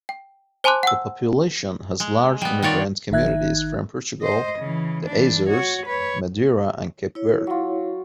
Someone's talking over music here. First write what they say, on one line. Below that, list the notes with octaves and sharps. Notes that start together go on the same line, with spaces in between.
The population has large immigrant communities from Portugal, the Azores, Madeira and Cape Verde.
G5
C5 G#5 A5 C6 D6 F#6
F#5 G5 E6
G#3
G3 B3
D#3 F4 C#5 D5
G#1 D#3 D#4 E5 F#6 G#6
C5 D#5
C#3 E3
E3 D4
F#4 C#5
B4 C#5
E4 C#5
F#3 F4